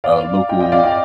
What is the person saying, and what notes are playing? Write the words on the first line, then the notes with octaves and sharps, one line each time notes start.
a local
D5 F5
D#5 G5
D#5 G5
D5 F5
D#5 G5